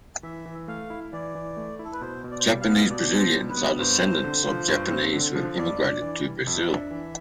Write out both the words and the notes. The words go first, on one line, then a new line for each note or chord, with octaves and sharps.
Japanese-Brazilians are descendants of Japanese who have immigrated to Brazil.
E3 E5
E3
A3 F5
E4
E3 D5
E3
A3
E4
A4
B4
B2 C5
B2
D5
C5
G3 D5
F5
B3
B2 D5
B2
C5
G3
B4
B3
G2 C5
C4
D3
F3
G2
C4
D3
F3
F2 D5
D4
E3
G3
F2 E5
D4
E3